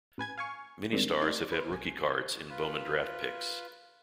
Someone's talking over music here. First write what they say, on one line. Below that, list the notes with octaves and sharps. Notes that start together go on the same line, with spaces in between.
Many stars have had rookie cards in Bowman Draft Picks.
A1 B4 G#5 G#6
F5 G#5 C#6
D#3 G3 G#3 A#3 C4 D4
A3 D#4 D5 C6
B4 C5
B1 G#5
F4 B4